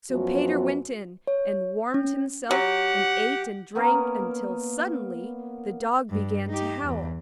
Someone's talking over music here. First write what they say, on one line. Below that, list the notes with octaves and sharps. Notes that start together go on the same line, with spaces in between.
So Peter went in and warmed himself and ate and drank, till suddenly the dog began to howl.
F#2 F3 B3 F#4
C#5
C#4
F#3 G4 F#5
A#3 B3 C#4 A#4
G2
D#4 G4
E2